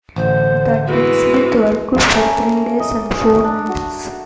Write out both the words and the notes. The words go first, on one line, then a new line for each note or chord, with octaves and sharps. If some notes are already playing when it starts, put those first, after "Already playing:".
The Tinsmiths worked for three days and four nights.
A1 D3 C5
E3 G#3 F#4
A3 A#3 C#4 A#4
D#5
D4
F#4